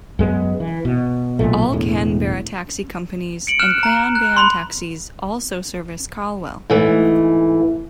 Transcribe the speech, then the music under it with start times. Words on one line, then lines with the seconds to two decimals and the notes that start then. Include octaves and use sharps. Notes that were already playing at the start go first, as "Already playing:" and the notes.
All Canberra taxi companies and Queanbeyan taxis also service Calwell.
0.19 F#2 G#3 B3
0.60 E3
0.85 B2
1.39 B1 A#2 A3
1.72 E1 E2 A2
3.47 C#7 D7 F#7
3.59 F6 F#6 E7
3.83 A#5
4.15 F#6
4.37 B5 C6
6.70 G#2 E3 A3